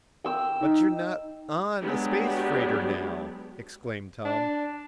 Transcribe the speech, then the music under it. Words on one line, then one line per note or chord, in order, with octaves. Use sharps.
"But you're not on a space freighter now!" exclaimed Tom.
G5 E6
D#4
F#3 G#3 B3 D4 G4
D4